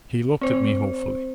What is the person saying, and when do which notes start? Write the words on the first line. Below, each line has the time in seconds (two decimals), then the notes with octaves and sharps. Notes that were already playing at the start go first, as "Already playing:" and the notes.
He looked at me hopefully.
0.41 C4 C5